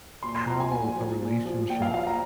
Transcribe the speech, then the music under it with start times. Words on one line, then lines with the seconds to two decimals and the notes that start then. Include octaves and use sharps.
how a relationship
0.23 A#2 C6
0.36 C6
0.47 F3 A#5
0.60 G#5
0.71 A#2 G#5
0.96 F3
1.21 A#2
1.46 F3
1.69 A#2 G5
1.82 F5
1.94 F3 F5
2.07 A#5